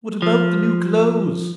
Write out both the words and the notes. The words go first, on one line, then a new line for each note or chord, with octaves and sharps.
"What about the new clothes?"
F3